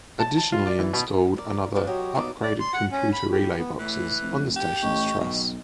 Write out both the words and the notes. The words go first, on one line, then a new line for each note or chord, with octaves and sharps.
Additionally installed another upgraded computer relay boxes on the station's truss.
A5
A5
F4
D5
E3
B2
A#4 D5
F3 D4 B4 D5
F#3 G4 C5 C#5 D#5
D#2 B2 F#3 D#4 A#4 D5
D5
C6
F#5
C#4
B5
G4
B3
A2 E3 F#6
F1
G4
A1 D#5 C#6
B1 B2